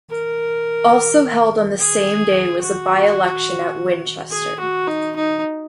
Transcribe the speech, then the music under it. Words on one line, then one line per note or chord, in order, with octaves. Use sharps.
Also held on the same day was a by-election at Winchester.
A#4
G#4
F#4
G#4
F#4
D#4
D#4